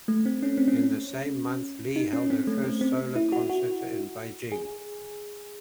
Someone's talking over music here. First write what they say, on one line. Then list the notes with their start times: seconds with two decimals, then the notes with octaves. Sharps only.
In the same month, Li held her first solo concert in Beijing.
0.08 A3
0.26 C4
0.43 C#4
0.58 C4
0.68 C#4
1.96 D#4
2.13 C#4
2.30 C4
2.47 A3
2.64 A3
2.81 C4
3.16 E4
3.32 F#4
3.50 F#4
4.52 G#4